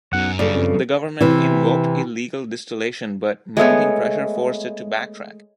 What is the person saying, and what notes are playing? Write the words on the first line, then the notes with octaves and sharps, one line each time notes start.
The government invoked illegal distillation, but mounting pressure forced it to backtrack.
B1 F#2 F#5
F#1 G2 C#3 A4 D5
F2
C3 E3
G#3 A3 B3 C#5